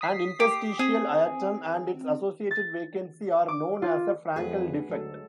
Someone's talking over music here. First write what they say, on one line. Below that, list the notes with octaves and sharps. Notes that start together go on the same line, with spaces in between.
An interstitial atom and its associated vacancy are known as a Frenkel defect.
D#6 B6 C7
G4
C4 G#4
A6
D6
F4
F2 A3 F#4 G#4 B4
D2 F#3 G#3 A4